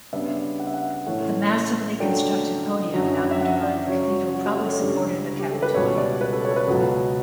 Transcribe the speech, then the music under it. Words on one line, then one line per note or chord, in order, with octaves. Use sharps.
The massively constructed podium now underlying the cathedral probably supported the Capitolium.
C#3 G3 B3 D4 E5
F#5
E5
F#5
A2 E3 A3 C#4 F#5
C#3 F#3 A3 D4 G5
F#2 D3 F#3
E5
F#5
D5
C#3 F#3 C#4 C#5
F#4
F#4
G4
A4
C#5
C#2 C#3 G3 D4
G4
A4
B4
C#2 B2 G3 C#5
D5
B4
A4
C#5
A4
B4
C#2 B2 F#3